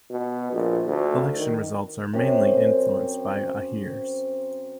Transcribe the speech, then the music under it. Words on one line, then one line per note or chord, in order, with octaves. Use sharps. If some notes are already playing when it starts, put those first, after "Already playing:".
Election results are mainly influenced by Ahirs.
B2
A#1
D2
D#3
F#2 C4